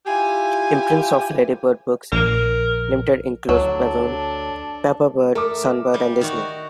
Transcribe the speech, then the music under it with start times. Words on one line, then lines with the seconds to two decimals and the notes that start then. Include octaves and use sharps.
Imprints of Ladybird Books Limited included Balloon, Paperbird, Sunbird and Disney.
0.06 E4 F4 G4 G#5
2.12 A#1 A#4
3.49 D2 F#3 D4 A4
5.35 A3 A#4 D6
5.94 G3
6.21 D#3 F#4